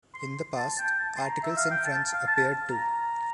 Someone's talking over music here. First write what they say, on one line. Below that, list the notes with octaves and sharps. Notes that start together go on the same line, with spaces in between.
In the past, articles in French appeared too.
C6
A5
G5
A5
C6
A#5
E5
F5
G5
A5
F5
A5
A#5